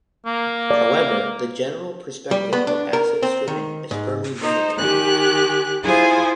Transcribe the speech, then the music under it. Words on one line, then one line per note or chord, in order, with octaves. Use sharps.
However, the general perspective of asset stripping is firmly negative.
A#3
D5
G3
B3
D4
A#4
C4
D#3
G#2
D#4 C5
D#3 G4 G#5 F#6
E4 F4 G#4 C5 G#5 D#6